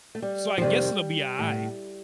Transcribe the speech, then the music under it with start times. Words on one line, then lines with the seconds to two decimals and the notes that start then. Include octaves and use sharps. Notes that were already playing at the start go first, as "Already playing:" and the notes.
So I guess it'll be aight."
0.15 A3
0.22 G3
0.58 F3
0.61 F2 C3 D#3 G3
1.39 A2